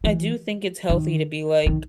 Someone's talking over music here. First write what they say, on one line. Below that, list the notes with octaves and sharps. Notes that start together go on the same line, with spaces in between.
I do think it's healthy to be like,
E3
D#3
D#3